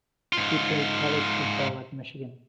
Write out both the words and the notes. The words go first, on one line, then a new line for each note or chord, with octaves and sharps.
He played college football at Michigan.
G#2 F4